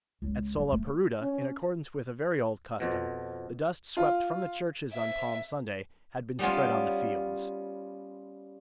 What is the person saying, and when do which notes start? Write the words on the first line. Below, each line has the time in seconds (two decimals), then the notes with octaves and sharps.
At Solaparuta, in accordance with a very old custom, the dust swept from the churches on Palm Sunday had been spread on the fields.
0.22 C#2
0.56 F#3
0.72 A3
1.21 C#4
2.80 F2 B2
3.97 F4
4.92 E5
6.39 G3 B3 C#4 F4